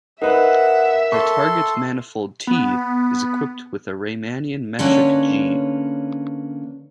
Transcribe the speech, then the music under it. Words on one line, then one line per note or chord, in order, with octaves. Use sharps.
The target manifold "T" is equipped with a Riemannian metric "g".
D#4 A#4 B4 E5 F#5
A4 C6 C#6
B3
D3 A#3 C#4 B4 C#5